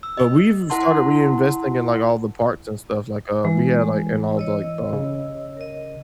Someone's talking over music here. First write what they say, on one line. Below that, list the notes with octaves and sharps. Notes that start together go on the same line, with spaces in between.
but, we've started reinvesting in, like, all the parks and stuff, like, uh, we had, like and all the, like, um
E6
D#5
E4 A#4 F#5 A5 C6
E3 G#3
C#5 D#5 E6
C#3
A#4 D#5